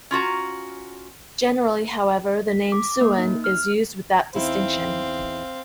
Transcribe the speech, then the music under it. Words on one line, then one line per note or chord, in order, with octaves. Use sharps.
Generally, however, the name "Siouan" is used without distinction.
C#4 F4 F#4 A#5
B6
D6
A#3
D#4
F6
E2 C4 D#4 E4 F5